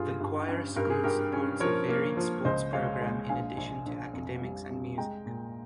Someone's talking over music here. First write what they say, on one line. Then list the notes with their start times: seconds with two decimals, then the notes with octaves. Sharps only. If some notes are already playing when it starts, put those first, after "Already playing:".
The Choir School supports a varied sports programme in addition to academics and music.
Already playing: G2 F4 G#4
0.20 G2
0.48 C#4
0.76 G2 A#4
0.90 G#4
1.04 G2 G4 A#4
1.33 C#4
1.60 F3 A#4 C#5
1.89 A#3
2.17 F3
2.45 C#2 C5 D#5
2.73 G#3 C#5 F5
3.01 G#3
3.29 A#1 F5 G#5
3.57 A#1
3.86 A#1
4.13 F2
4.42 G3
4.69 C3
4.98 G#3 G5 A#5
5.26 A#2